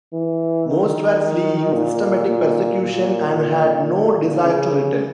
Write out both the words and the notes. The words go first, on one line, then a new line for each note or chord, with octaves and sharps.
Most were fleeing systematic persecution and had no desire to return.
E3
D#3
A#2
A#2
A#2
C#3